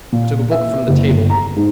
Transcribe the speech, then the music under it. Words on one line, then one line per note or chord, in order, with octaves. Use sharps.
I took a book from the table.
A#2
E5
F#1
G1
A#5
G#2